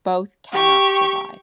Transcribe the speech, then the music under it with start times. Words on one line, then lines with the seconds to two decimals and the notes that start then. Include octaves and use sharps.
Both cannot survive.
0.52 G4 C#6